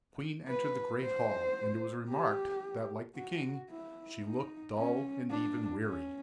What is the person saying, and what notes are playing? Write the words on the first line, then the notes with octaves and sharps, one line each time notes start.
The queen entered the great hall; and it was remarked that, like the king, she looked dull and even weary.
B4
C5
G4
F#4
E4
D#4
C#4
D4
C#4